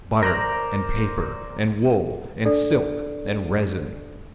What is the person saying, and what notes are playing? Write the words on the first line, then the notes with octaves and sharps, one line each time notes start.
Butter and paper and wool and silk and resin.
A#4 C5 D5 A#5
D4 A4 D5